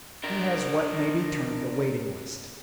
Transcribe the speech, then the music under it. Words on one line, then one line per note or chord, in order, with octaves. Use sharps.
He has what may be termed a waiting-list.
D4 A#4